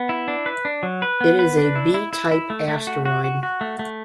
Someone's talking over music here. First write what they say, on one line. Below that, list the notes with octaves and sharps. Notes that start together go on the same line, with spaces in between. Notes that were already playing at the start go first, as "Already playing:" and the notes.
It is a B-type asteroid.
Already playing: B3
E4
D4
B4
D4
F#3
B4
B3
B4
D4
E4
E4
E4
E4
A3
A3
F#4
F#4
F#4
F#4
A3
A3